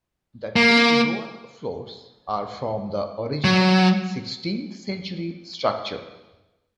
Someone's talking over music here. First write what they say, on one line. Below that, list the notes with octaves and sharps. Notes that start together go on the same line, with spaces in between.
The two lower floors are from the original sixteenth century structure.
A#3
F#3